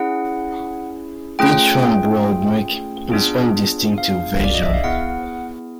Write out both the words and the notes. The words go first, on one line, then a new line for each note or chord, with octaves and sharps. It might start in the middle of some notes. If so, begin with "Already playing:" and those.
Each farm brewer would make his own distinctive version.
Already playing: C#4 E4 G#4 F#5
A3 C#4 F4 G#4 G5
B3 D4 F4 G#4
F5
D5
D#5
E5
F5
B3 E4 G#4 F#5